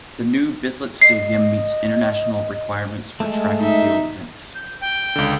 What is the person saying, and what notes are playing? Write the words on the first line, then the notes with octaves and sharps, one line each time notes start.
The New Bislett Stadium meets international requirements for track and field events.
D#5 C7
G#3 A3
D#4 E5
G6
G5
C#2 D3